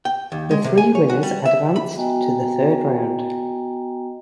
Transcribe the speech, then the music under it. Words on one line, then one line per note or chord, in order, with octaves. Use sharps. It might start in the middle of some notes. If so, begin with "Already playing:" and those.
The three winners advanced to the third round.
G5
D#2
G#3
C3
G#5
C#5
F#4
G3
E5
B5
B3 F#4 D#5 G5 G#5 A#5